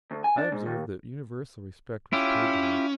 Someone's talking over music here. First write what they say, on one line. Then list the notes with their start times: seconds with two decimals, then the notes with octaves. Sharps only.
I observed that universal respect was paid to him.
0.11 D2
0.24 G#5
0.38 D4
0.52 G#2
0.66 D#2
2.13 C#4 E4 F4 G4